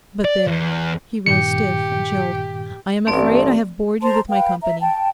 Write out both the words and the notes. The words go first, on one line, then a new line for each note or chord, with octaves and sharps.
But there'--he rose stiff and chilled--'I am afraid I have bored you with my company.
D5
E2
G2 A#2 D#3 G4 C#7
A1 G2 A3 C4 D5
C5 A5 A#5 C6
B4 F5 G5
E5 A#5
G5 A5